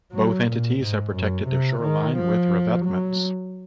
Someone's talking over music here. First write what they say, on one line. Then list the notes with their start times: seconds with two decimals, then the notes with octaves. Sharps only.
Both entities have protected their shoreline with revetments.
0.12 F#3
0.46 A#2
0.81 G#2
1.15 F#2
1.49 C3
1.83 D#3
2.17 F3
2.85 F#3